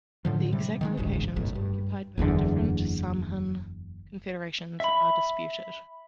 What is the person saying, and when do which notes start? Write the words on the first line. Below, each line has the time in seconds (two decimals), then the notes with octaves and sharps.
The exact locations occupied by the different Samhan confederations are disputed.
0.25 A2 D3 F3
0.52 C3 G3
0.81 D#3 G3 G#3
0.97 E1 A1 D2 G#2
1.36 F#1 B1 A2
1.55 G2
2.17 F#1 E2 G2 D3
4.80 E5 B5